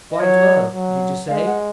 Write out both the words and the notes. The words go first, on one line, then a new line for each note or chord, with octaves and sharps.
Quite well, did you say?
D#5
F#3 C#5
F#3
G#3 F5
F#5